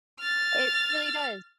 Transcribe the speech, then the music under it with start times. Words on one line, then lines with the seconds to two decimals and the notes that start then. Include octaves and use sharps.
It really does.
0.21 F6 A6